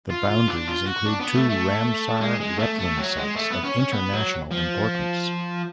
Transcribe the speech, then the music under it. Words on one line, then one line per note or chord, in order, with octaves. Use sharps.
The boundaries include two Ramsar wetland sites of international importance.
F4
F4
D4
F4
F#4
D4
B3
A3
A3
G#3
G#3
A3
A3
F#3
G#3
A3
B3
C#4
C#4
B3
F#3
F3